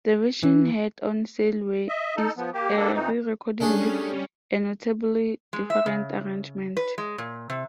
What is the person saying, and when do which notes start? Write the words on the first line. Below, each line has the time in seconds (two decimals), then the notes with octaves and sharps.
The version heard on "Sail Away" is a re-recording with a notably different arrangement.
0.43 E3
1.88 D#5 E5
2.17 D#4 A4
2.37 F3 B3
2.53 A#3 G4
2.77 G3 A#3 D4 A4
2.93 F2 E3 D#4
3.60 G3 A3 C#4 D4 G#4
5.53 G#3
5.70 E5
5.86 C#3
6.77 B4
6.98 G#3
7.18 A#2
7.50 C3